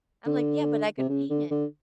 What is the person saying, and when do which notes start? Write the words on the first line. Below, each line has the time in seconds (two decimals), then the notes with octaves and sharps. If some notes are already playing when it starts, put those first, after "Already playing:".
I'm like, "Yeah, but I could paint it.
0.26 D3
0.98 C3
1.09 C#3
1.30 D3
1.51 D3